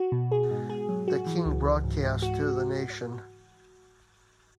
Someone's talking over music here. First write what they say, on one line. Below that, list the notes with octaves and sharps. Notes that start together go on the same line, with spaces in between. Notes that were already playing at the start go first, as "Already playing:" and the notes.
The King broadcast to the nation.
Already playing: F#4
B2
G#4
G#2
G#4
F#3
F#4
E3
C#2
C#2
G#2
G#2
F#4